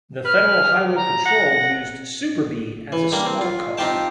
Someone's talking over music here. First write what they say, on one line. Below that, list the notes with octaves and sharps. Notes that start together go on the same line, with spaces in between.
The federal highway patrol used Super Bee as a squad car.
B4 F6
G4
A#5
F#5 A#6
E3
G3 A#3 D4
C4
F4
C4 D#4 F4 G4 G5 A5